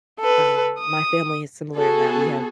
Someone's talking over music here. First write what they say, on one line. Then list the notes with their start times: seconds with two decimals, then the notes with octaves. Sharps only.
Um, my family is similar in that we have
0.19 A4 B4
0.79 D#6
1.75 B3 F#4 G#4 A4